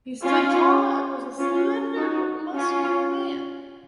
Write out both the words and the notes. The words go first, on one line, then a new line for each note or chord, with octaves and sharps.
He stood tall and was a slender but muscular man.
C#4 F4
C#4 F4
D#4 F#4
C#4 F4